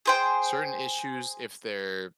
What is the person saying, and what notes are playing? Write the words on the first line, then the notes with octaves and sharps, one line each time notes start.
certain issues, if they're
G#4 C5 G5